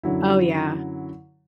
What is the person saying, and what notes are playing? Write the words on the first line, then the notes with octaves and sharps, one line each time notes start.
Oh, yeah.
F#2 D3 F#3 E4